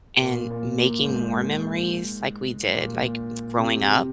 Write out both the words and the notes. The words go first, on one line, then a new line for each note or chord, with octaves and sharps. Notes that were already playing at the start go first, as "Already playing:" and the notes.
and making more memories, like we did, like, growing up,
A#2
A#2
A#2
G#2
A#2
C3